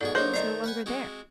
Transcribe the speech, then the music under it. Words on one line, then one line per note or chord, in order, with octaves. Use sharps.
He was no longer there.
G#2 B2 G#4 A4 D5
F#3 A#3 D#4 G#4 C5 C#5 D#5 G6
D#3 A3 D5 D#5 A#5
B4 F#5 G#5
G#3 C4 F#4